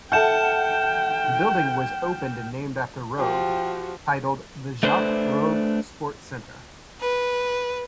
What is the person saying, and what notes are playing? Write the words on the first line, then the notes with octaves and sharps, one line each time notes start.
The building was opened and named after Rogge, titled "The Jacques Rogge Sports Centre".
A4 E5 F#5 G5 A5 F6 G6 E7
F3 F#4 G4 G5
A3 D4 B4 C5
B4